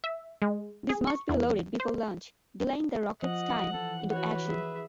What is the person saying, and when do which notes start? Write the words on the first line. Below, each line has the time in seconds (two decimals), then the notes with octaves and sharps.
These must be loaded before launch, delaying the rocket's time into action.
0.04 E5
0.42 G#3
0.89 G#4
1.07 C#6
1.29 E2
1.80 C5
3.22 F3 D#5 F#5
3.73 E3 A4
4.11 F#4 B4 C#5 F#5
4.47 G#4 E5